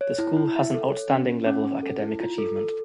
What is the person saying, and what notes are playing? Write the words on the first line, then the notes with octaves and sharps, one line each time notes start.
The school has an outstanding level of academic achievement.
C#5
E4
E4
E5
A4
C#5
C#4
C#4
C#4
C#4
A4
E4
F4
A4
A4